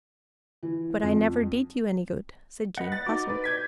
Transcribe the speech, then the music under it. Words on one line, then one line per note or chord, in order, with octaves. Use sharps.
"But I never did you any good," said Jean, puzzled.
E3
F2
B4 D#5 F#5
A6
D#4 F#4 D6
B4
G6 G#6 B6